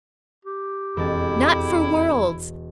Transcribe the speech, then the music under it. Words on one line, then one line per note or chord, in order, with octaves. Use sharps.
'Not for worlds!
G4
E1 F2 E4 A5